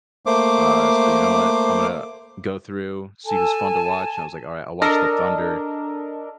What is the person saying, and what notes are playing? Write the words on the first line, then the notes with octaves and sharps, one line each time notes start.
Uh, so you know what? I'm gonna go through, see who's fun to watch." And I was like, "Alright, I'll watch the Thunder."
A3 A#3 C5 D6
A4 G#5 A5
D4 A4 A#4 D#5